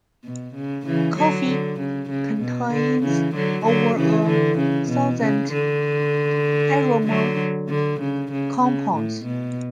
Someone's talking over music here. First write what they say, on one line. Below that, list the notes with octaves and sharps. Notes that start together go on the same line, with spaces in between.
Coffee contains over a thousand aroma compounds.
B2
C#3
C#3 E3
D3 F#3
D3
C#3
C#3
B2
D3
C#3 E3
D3 F#3
D3 F#3
C#3 E3
D3
C#3
B2
C#3
D3
D3 F#3
D3
C#3
C#3
C#3
A2
B2